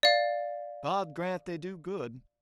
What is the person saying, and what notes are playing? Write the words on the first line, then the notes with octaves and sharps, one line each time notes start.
God grant they do good!
D5 F5